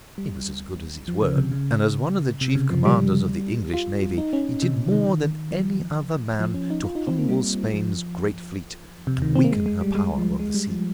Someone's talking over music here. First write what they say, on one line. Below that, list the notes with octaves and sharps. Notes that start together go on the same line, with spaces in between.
He was as good as his word, and as one of the chief commanders of the English navy, he did more than any other man to humble Spain's great fleet and weaken her power on the sea.
G3
F3
C#3
C3
C#3
C3
C#3
F3
G3
F4
D#4
C#4
C3
D#3
D#3
F3
F3
C#4
D#4
F4
D#4
C4
A#3
G3
F3
C3
D#3
C4
A#3
G#3
G#3
G3
G#3
F3
G#3
G3
F3